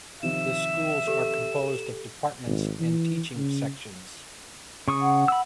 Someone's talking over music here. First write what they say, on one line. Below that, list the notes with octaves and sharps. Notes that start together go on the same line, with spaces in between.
The schools are composed of departments and teaching sections.
C3 D#3 F3 E5 E7
G4 A4
G#1
E3
C#3
C#3 C#6 D#6
F#5
B5 E6